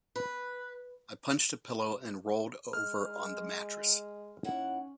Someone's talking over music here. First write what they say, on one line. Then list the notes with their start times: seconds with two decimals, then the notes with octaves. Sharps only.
I punched a pillow and rolled over on the mattress.
0.16 B4
2.73 G#3 F6
4.44 D#2 C#4 E4 F#5